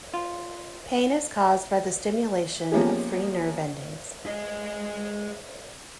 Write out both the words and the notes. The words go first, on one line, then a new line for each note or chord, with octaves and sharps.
Pain is caused by the stimulation of free nerve endings.
F4
F3 A#3 B3 C#4 G4 G#4
G#4 D#5